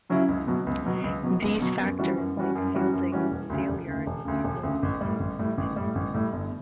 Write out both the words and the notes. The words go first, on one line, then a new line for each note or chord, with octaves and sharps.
These factors make Feilding Saleyards a popular medium for many farmers.
C#3 F#3 C#4 E4
C#2
B2 F#3 B3
C#2
B2 F#3 B3
C#2
B2 F#3 B3
C#2
B2 F#3 B3
F#2
E3 G3 C#4 F#4
F#2
E3 G3 C#4 F#4
F#2
E3 G3 C#4 F#4
F#2
E3 G3 C#4 F#4
E1
D2 C#3
E1
D2 C#3
E1
D2 C#3
E1
D2 C#3
A1
A2 G3
A1
A2 G3
A1
A2 G3
A1
A2 G3
G1